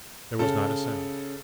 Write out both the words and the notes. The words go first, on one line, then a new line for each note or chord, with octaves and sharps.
There was not a sound.
C#3 A4